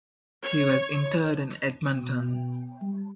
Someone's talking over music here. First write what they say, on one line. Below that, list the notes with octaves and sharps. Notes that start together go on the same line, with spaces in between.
He was interred in Edmonton.
C#5
B2
G3